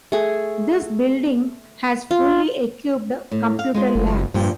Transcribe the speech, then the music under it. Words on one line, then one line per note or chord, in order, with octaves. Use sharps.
This building has fully equipped computer labs.
A3 G#4
F4
A2
F5
G#3 F4 C5
F#1
G2 A#2 F3 G5